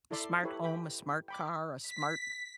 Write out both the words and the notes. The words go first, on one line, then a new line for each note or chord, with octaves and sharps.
A smart home, a smart car, a smart
E4 A4 D5 E5 C6
E4 G4 A4 B4 C#5
G5 B5
G5 B5 D6
B6